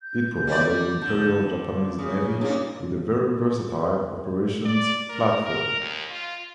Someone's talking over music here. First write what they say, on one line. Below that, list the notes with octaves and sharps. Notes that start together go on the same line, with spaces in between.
It provided the Imperial Japanese Navy with a very versatile operations platform.
G6
G3 D5
D3
F4
C#3 G#4 D#6
G2 A#2 A#3 C#4 D#4 C#5
D5
A#4
A#4
D#2
F4